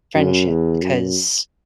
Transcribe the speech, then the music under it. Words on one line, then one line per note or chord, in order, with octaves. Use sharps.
friendship because
F#2
E2
F#2